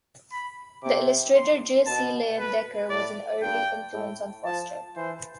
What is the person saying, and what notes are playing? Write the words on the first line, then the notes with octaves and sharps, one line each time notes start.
The illustrator J. C. Leyendecker was an early influence on Foster.
B5
C3 D6
C6
B2 A5
B4
A2 D5
G2 G5
A2
F3 A5
E3 C5